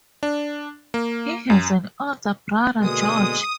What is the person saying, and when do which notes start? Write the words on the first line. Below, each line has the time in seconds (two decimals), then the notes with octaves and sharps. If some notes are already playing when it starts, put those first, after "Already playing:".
He has an older brother, George.
0.23 D4
0.94 A#3
1.50 F#2
2.81 B2 D3 G#3 A#3 D#6